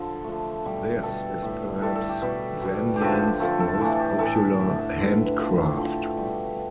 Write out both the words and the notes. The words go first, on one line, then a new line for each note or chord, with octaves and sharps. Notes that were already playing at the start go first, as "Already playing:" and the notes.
This is perhaps Zanjan's most popular handcraft.
Already playing: D3 F3 A4
D3 F3 A3
B2 G3
B2 G3 A4
A2 G3
A2 G3 A4
A4
G4
B2 G3 B4
B2 G3
G4
D3 F3 A3 A4
D3 F3 A3 A4
A4
A2 E3 A3 A4
G4
A2 E3 A3 A4
D3 A3
A4
D3 A3
B4
A4
B4
D3 F3 A3
D3 F3 A3 A4
B2 G3